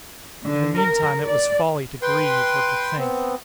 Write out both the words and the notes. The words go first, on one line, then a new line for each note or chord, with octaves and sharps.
In the meantime it was folly to grieve, or to think.
D3
A#4
D5
B4 G5 C6
B3 C4